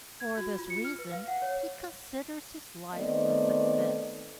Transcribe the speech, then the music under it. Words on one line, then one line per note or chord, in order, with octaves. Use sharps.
For this reason he considers his life a success.
G#6
F#4
F4
C#7
F6
B4
F5
F#5
C#5
D#3 A3 B3 C4 D5 D#5